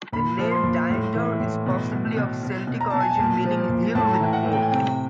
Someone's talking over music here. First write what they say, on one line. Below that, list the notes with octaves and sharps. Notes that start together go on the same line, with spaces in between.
The name Dinedor is possibly of Celtic origin meaning "hill with a fort".
A#2 B5
F3
C6
A#2
A2
E3
A2
B2
B2
B2
B2
B2
A#5
B2 A5
G#5
A5
A#2
F3
A#2
A2 A5
A#5
E3 G5
F#5
A2
G5
G#5
C3 G5